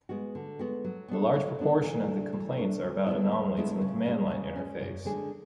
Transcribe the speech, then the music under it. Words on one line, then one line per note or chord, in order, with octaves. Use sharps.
A large proportion of the complaints are about anomalies in the command line interface.
G#3 B3 F#4
D3
G#3 B3 F#4
F#3
B3 D4 A4
F#3
B3 D4 A4
E3
A3 D4
E3
A3 D4
D2
D3 G#3 B3 E4
D2
D3 G#3 B3 E4
C#3
G#3 C#4
C#3
G#3 C#4
F#2
D3 G#3 D4 G#4